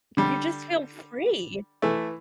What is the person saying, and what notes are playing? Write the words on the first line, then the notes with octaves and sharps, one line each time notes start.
You just feel free.
D3 G3
E3 A3